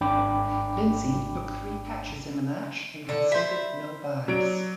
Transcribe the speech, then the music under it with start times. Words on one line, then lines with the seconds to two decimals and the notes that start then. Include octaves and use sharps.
Lindsay took three catches in the match and conceded no byes.
0.01 G#1 D4 G5 B5 D6
3.09 D3 A4
3.32 C5 E5 B5
4.28 F#3 D5 D7